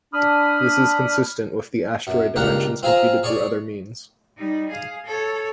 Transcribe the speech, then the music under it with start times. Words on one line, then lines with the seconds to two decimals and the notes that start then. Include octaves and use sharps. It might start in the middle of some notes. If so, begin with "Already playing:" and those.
This is consistent with the asteroid dimensions computed through other means.
0.14 D4 B5 D#6 F6
2.07 F#2
2.36 C#2 G2 A#3 G4 A#4 F#5
2.83 C4 F4 G#4 F5 G#5 A#5
3.23 G#4 C#5 D5 C#6
4.37 G3 D#4
4.69 G#4 F5
5.05 A4 C#5